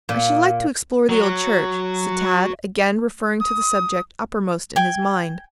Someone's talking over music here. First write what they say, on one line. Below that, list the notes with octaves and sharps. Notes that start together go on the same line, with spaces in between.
"I should like to explore the old church," said Tad, again referring to the subject uppermost in his mind.
A#2
F#3
D#6
G5 G#5